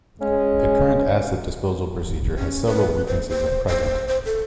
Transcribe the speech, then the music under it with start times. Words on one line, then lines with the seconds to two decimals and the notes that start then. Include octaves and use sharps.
The current asset disposal procedure has several weaknesses at present.
0.21 G#3 C#4
2.39 C#4
2.66 B4
3.07 C5
3.29 C5
3.68 C5
4.08 C5
4.25 A4